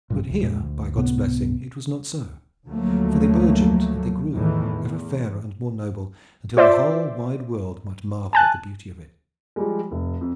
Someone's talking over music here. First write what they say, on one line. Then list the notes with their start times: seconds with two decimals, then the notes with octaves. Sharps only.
But here, by God's blessing, it was not so, for they burgeoned and they grew, ever fairer and more noble, until the whole wide world might marvel at the beauty of it.
0.10 A1 G2 A#2
0.25 E1 D2
0.42 F2 A#2 G#3
0.62 D2
0.96 C#2 A2 C3 B3
2.68 D2 F3 F#3 A3 A#3
4.33 E2 A2 D#3 E3
4.70 E2
6.57 F4 C5 D5 E5
8.33 G#5 A5 F#6
9.56 F3 G3 G#3
9.91 F1
10.21 F2